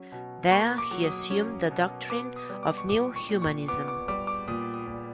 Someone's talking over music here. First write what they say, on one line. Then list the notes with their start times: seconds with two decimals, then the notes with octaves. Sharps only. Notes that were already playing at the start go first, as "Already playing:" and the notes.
There he assumed the doctrine of New Humanism.
Already playing: F#3 C#4
0.12 B2
0.51 A#3 C#6
0.78 D6
0.91 F#3
1.04 D#6
1.31 C#4
1.71 B2
2.10 B3 D6
2.36 D#6
2.50 G3
2.63 D6
2.78 C#6
2.89 A#2 D6
3.16 C#6
3.29 A#2
3.42 C#6
3.68 B3 D6
3.88 D6
4.08 G3 D6
4.27 D6
4.47 A#2 D#6
4.74 D#6
4.87 A#2